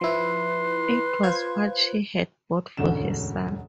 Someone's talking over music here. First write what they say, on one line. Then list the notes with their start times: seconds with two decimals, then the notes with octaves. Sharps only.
It was what she had bought for her son.
0.01 F3 E4 B4 C6
1.23 F4 C5 G#6
2.77 E1 D2 G#2 D3 C#4 E7